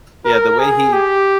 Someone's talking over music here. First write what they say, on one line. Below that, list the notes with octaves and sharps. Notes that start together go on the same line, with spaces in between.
yeah, the way he
A#4
G#4
G4